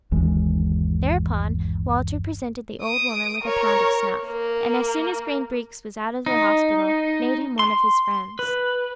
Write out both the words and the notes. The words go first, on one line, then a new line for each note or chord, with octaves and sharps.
Thereupon Walter presented the old woman with a pound of snuff, and as soon as Green Breeks was out of the hospital made him one of his friends.
G1 D#2 E3 G#3
D#6 D7
A#4 C#5
A#3
D#4
C6
B4